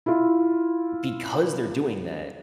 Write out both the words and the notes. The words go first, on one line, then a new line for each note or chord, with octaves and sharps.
because they're doing that,
E4 F4